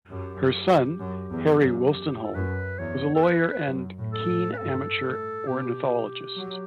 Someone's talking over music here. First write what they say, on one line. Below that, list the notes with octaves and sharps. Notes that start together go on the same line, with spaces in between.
Her son, Harry Wolstenholme, was a lawyer and keen amateur ornithologist.
F#2 G4
F#2
E2
F#2
G4
A4
F#2 B4
E2 C#5
A4
B4
F#2
A2
A4
A2
B4
G2 A4
A2
B2 G4
F#3